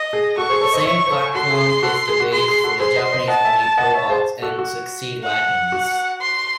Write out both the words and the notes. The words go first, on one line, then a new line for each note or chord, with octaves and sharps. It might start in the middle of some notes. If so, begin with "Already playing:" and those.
The same platform is the base for the Japanese-only Probox and Succeed wagons.
Already playing: D#5
G#4
F#4 A4 C#6
G#4 C5
A4 C#5
C5 D#5
C#5 E5 C#6
C5
A4 C#5
F#4 A4 C6
G#4
G#4
F#4 A4
G#4
F#4
G#4 C6
G#4
F#4 A4
G#4 C5 C6
C5 D#5
C5 D#5
D#5 F#5 A5
E5 G#5
D#5 F#5
C#5 E5
G#4 C5
F#4 A4
F#4
F#5
F#4
C6